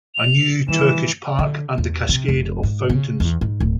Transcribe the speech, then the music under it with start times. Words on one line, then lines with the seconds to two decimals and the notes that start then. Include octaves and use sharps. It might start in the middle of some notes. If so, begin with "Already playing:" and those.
A new Turkish Park and the cascade of fountains.
0.15 F7
0.68 D#3 E3 G3 A#3 E7
1.39 D3
1.78 E2
2.09 C3
2.28 F1
2.63 G#2
2.90 C#3
3.20 E2
3.41 G#2
3.60 D1